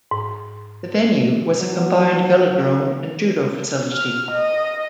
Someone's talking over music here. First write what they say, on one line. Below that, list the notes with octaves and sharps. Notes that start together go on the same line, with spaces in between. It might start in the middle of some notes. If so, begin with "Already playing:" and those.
The venue was a combined velodrome and Judo facility.
G#2
F#3
F6
D#5